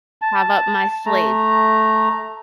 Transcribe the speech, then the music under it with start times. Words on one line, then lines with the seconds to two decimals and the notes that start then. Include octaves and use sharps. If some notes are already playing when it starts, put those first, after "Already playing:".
have up my sleeve,
0.22 A5
1.06 A3 A#5